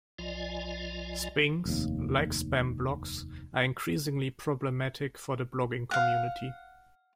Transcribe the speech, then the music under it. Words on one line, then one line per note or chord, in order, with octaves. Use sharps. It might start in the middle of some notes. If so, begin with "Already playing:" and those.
Spings, like spam blogs, are increasingly problematic for the blogging community.
B1 F3 F4 D5 D#5 G#5
F1 D#2
F5 F#5